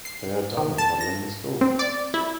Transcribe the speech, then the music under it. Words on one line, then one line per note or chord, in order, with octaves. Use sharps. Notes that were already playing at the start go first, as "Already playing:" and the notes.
They are done remodeling the school.
C7
D#3
A5
A#6
C4
D5
E4